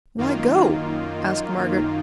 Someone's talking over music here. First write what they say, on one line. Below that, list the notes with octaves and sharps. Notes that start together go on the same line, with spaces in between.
"Why go?" asked Margaret.
F#2 D#3 A#3 D#4 F4